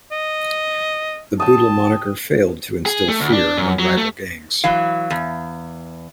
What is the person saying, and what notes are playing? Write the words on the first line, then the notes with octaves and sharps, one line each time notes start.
The Boodle moniker failed to instill fear among rival gangs.
D#5
G5 A5 D#6
G#4
A3
D2
D4
F#2
F#3
A3
E3 F#3 F5
E2